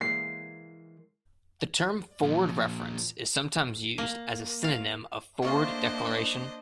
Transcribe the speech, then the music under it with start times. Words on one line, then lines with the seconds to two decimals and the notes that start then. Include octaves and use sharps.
The term forward reference is sometimes used as a synonym of "forward declaration".
0.01 E3 G#3 A#3 C7
2.23 A#2 F3
3.98 A#3
4.64 F5
5.42 E3 A3 A#3 D4 F4 C5 D#5